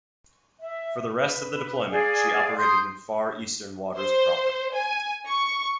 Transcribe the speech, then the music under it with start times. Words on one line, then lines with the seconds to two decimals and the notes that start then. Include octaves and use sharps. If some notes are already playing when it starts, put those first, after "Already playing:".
For the rest of the deployment, she operated in Far Eastern waters proper.
0.59 E5
1.17 B4
1.91 G#4 D5 F5
2.56 C6 D#6 G6
3.96 C5
4.74 G#5
5.28 C#6